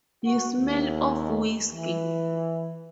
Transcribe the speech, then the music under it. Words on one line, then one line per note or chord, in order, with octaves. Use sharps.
You smell of whiskey.
F#4
D#2
E3